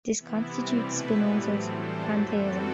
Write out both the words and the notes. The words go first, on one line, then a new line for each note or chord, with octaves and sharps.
This constitutes Spinoza's "Pantheism".
C3 E3 B3 E4
C3 E3 G3 C4
B2 A3 E4 B4
A2 E3 G3 B3
A2 F#3 A3 C4
E3 G3 D4 A4 C5
F#2 F#3 A3
E3 G3 C4 F#4 A4